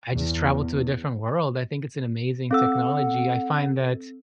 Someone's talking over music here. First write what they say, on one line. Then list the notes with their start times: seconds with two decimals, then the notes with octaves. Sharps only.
I just traveled to a different world. I think it's an amazing technology. I find that
0.12 E2
2.51 C4 A4 F#5 E6